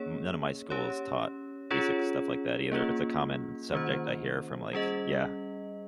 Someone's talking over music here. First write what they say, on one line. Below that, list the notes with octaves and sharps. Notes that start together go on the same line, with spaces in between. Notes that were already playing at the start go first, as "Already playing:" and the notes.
m none of my schools taught basic stuff like that either, if it's a common subject I hear from, like Yeah
Already playing: A#3 C#4 G#4 C#5
C#4 G4 C#5
C#4 F4 G#4 C#5
A#3 C#4 F4 G#4
D#3 A#3 C#4 F4 C5
G3 C#4 G#4 D#5